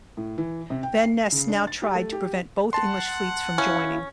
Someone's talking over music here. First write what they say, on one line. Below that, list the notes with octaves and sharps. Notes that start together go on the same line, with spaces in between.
Van Nes now tried to prevent both English fleets from joining.
A2
E3
C3
G5
C7
C#3
D4
A6
G4
A3
G4
F#5 A5 C6
C#4 E4 F5